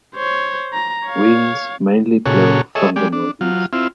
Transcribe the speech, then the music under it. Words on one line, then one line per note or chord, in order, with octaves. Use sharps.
Winds mainly blow from the northeast.
C5 C#5
A#5
C#5 F5
A#2 C#3 F#4 G#4 A4 C#5
G#4 A4 C#5 D#5 E5
G#3 G4 D5
D4
F#3 F4
C4 E4 F4